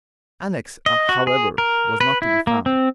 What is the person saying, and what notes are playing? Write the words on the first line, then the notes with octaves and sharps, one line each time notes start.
Alex, however, was not to be found.
D#5
F#4
G#4
A#4
B4
E4
A#3
C4